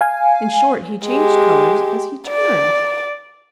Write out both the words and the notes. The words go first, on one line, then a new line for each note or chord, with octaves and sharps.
In short he changed color as he turned.
F5 G#5
G#3 G4
D5